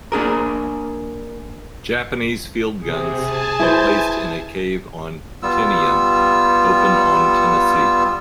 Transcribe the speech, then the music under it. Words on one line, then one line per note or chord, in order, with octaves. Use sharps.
Japanese field guns, emplaced in a cave on Tinian, opened on "Tennessee".
A#3 D4 G#4 A#4
C3 G#4
G#5 A5
E4 B4 C5
G3 B3 F4 E6